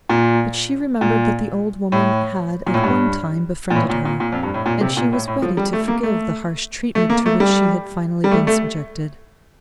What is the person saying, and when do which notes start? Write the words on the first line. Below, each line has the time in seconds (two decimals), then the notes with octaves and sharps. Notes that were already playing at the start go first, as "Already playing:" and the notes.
But she remembered that the old woman had at one time befriended her, and she was ready to forgive the harsh treatment to which she had finally been subjected.
0.09 A#2
1.01 A#2
1.92 A2
2.66 A#2
2.74 A2
2.84 G2
3.70 A#2
3.75 A2
3.90 A#2
4.05 A#2
4.20 A#2
4.32 F2
4.43 G2
4.54 A2
4.66 A#2
4.81 C3
4.97 A#2
5.13 A2
5.28 A2
5.42 F3
5.57 G3
5.73 A3
5.88 A#3
6.03 A3
6.95 A3
7.10 A#3
7.26 A3
7.40 G3
8.24 G3
8.31 A3
8.47 A3